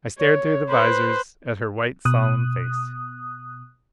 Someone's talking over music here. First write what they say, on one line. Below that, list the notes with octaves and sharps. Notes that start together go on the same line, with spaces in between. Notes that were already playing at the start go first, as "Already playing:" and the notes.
I stared through the visors at her white solemn face.
C#5
B4 C5
B2 D#6 F#6